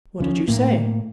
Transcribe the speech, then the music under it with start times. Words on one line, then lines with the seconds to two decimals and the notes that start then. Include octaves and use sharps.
"What did you say?"
0.20 F3 C#4
0.48 A2 A3 A#3